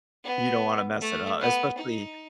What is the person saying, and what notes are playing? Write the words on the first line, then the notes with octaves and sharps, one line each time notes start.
You don't wanna mess it up, especially
B3
A3
B3
D#4